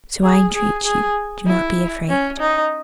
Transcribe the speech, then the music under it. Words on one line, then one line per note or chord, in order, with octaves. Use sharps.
So I entreat you do not be afraid.
G#4
G#4
G#4
E4
C#4
D#4